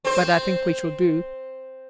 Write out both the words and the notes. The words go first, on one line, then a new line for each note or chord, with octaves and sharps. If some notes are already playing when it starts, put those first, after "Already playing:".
But I think we shall do.
C4 C5